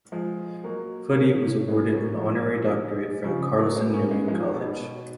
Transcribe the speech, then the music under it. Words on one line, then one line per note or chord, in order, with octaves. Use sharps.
Foote was awarded an honorary doctorate from Carson-Newman College.
F3 G#3
F#3 A#3
A#3 C#4
G#3 B3
F#3 A#3
F3 G#3
C#3 F3
C#3
F#3 A#3
G#3 B3
A#3 C#4
G#3 B3
F3 G#3
D#3 F#3
B2 D#3
B2